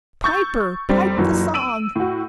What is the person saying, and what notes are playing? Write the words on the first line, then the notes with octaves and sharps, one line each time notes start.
Piper, pipe the song!
C#6 E6 G6 A6
F1 G3 C4
F#1 A#2 E3 F#3
E6 D7 D#7 F#7
A2 F#4